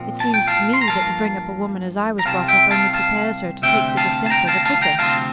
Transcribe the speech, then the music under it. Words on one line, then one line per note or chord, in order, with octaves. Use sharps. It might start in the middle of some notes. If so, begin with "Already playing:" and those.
"It seems to me that to bring up a woman as I was brought up only prepares her to take the distemper the quicker."
Already playing: A#2 F3 C4
A5
G5
F5 A5
C6
A#5
G2 F3 A#3 F5 A5
A#5
C2 C3 G3 C4 F5 A5
E5 G5
F5 A5
F5 A5
D2 C3 G3 C4 E5 G5
F5 A5
A5
G5 A#5
F5 A5
F5 A5
G5 A#5
D2 C3 F3 C4 F5 A5